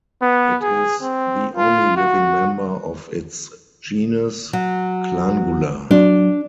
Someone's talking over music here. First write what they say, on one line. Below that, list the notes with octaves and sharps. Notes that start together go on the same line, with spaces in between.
It is the only living member of its genus, "Clangula".
B3
G#4
C4
F4
F#4
F#3
F#3 D4